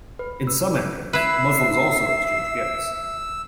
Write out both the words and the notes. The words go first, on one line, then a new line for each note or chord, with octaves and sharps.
In some areas Muslims also exchange gifts.
B4
E6
E4 B4 E5 E6 C7